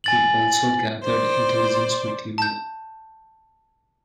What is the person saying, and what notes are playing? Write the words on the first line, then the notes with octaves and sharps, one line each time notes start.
He also gathered intelligence material.
G#5 A6 F#7
C5 D5
A5 G6